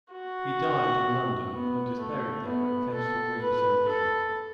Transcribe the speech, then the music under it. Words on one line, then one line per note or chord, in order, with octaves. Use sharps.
He died in London, and is buried there at Kensal Green Cemetery.
F#4
B3
A3
B3
A4
B4
A4